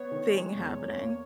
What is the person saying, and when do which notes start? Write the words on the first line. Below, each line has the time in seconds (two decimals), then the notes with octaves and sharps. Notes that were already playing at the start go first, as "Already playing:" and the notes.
thing happening.
Already playing: B3 C#5
0.11 D#3
0.33 G#3
0.54 E2
0.76 E2
0.98 A#3